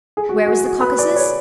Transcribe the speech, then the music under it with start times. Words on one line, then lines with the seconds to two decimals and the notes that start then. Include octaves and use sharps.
Where was the Caucasus?
0.17 G#4
0.29 F#4
0.46 F#4
0.64 F#4
0.81 B4
0.99 D5
1.16 C#5